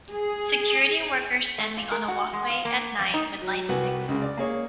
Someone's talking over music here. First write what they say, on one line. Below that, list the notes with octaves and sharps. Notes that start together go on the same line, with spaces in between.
Security workers standing on a walkway at night with light sticks.
G#4
A3
A#2
A#4
F#4
G#3
F5
A#3
F2
D#4
F#3
C2 F#4 B4 G#5
C#2 C#3
D5
A#3 G#4 C#5